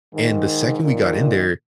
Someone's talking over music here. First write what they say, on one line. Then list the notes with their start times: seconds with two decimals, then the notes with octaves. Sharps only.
And the second we got in there,
0.14 G#2 D#3
0.83 A#2 D#3